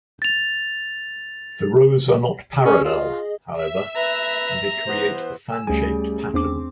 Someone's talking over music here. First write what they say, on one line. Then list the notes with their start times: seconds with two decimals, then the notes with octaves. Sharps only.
The rows are not parallel, however, and they create a fan-shaped pattern.
0.22 A6 F7
2.65 C#4 G#4 D#5
2.84 F4
3.59 E5
3.97 B4 A#5
4.87 E3 B3 C5
5.52 G#5 E6
5.67 D2 G3 A3 C#4 G#4 G#5
6.34 E2 C4 D4 D6